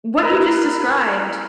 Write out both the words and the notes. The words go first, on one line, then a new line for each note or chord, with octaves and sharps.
what you just described
E4 A#4 B4